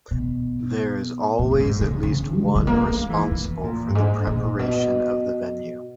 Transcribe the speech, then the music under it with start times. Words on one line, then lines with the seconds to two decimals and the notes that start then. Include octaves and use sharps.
There is always at least one responsible for the preparation of the venue.
0.11 B2
1.39 A#2
1.51 A#2
1.60 G#2
1.81 C#3
2.03 C#3
2.35 G#3
2.56 G#3
2.67 A#3
2.89 G#3
3.10 E3
3.31 D#3
3.63 A#2
3.89 G2
3.95 G#2
4.27 A#2
4.59 B2